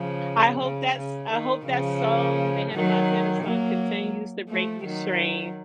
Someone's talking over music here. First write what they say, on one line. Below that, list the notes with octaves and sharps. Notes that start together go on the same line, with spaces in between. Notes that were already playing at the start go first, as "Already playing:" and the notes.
I hope that s I hope that song, the Hannah Montana song continues to bring you strength.
Already playing: C#3 F3
C#3
C#3
D#3
C#3 F3
D#3 F#3
F#3 A#3
F3 A3
D#3 F#3